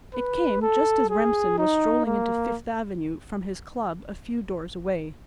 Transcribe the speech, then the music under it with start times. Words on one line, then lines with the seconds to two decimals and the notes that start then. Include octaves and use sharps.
It came just as Remsen was strolling into Fifth avenue from his club a few doors away.
0.14 B4
0.62 A4
1.10 G#4
1.58 D#4
2.06 A#3